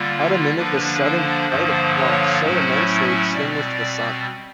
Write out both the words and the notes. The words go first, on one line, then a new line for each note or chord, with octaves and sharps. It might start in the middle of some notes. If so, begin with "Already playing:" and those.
How to mimic the sudden flight of flocks so immense they extinguished the sun?
Already playing: D3 G3 A#3 F4
D3 F3 A#3 D4 B4
C5
G2 D3 F3 A#3 C5
C#5
A2 F#3 A3 C#4 E4 C5
E5
B2 G3 C4 D5